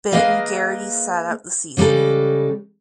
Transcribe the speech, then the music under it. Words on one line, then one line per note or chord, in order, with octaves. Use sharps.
Ben Garrity sat out the season.
A#3 G#4 B4 D#5 F5
C#3 G3 G#3 G4 A4